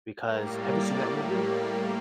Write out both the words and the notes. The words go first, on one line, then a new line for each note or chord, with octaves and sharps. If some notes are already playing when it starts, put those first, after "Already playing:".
because have you seen that movie?
A2 G3 A#3 A#4
D5